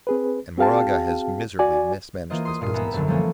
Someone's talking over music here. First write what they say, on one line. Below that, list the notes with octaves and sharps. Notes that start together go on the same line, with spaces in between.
And Moraga has miserably mismanaged this business.
C4 G#4 B4
C4 F#4 G#4 F5 G5 A5
F#4 D5 G#5
E3 A#3 F4 C5 D#5
C6 D#6
G2 A#2 D#6 C7
G#1 B3 E5 G#5 A#5 B5
A#1 F#2 D3
E3 F3 G3 A3 A#3 C#4